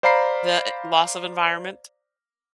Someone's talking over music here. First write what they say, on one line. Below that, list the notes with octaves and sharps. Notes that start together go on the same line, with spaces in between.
the eh loss of environment?
C5 D5 F5 A#5 B5 C7